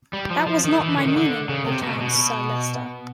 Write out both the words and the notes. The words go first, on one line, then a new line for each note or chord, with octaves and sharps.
"That was not my meaning," returns Sir Leicester.
G3
F3
F3
D#3
E3
D3
D#3
D3
C#3
C3
B2
B2